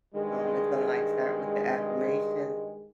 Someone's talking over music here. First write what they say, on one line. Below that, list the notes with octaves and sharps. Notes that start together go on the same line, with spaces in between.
um, is gonna, like, start with the affirmations,
G2 D#3 G#3